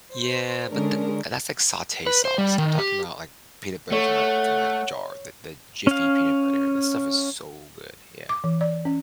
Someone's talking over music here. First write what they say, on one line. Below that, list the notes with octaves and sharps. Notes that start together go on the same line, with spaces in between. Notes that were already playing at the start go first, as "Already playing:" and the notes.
Yeah, but th that’s, like, saute sauce. I’m talking about, like, peanut butter from a from a jar, the the Jiffy peanut butter. That stuff is so good, yeah.
C5
D3 G#3 C#4 D4 A#4
B4
C5
G3
D#3
G4
A3 C#5 F#5
C#4 F5
D6
E3
D5
C#4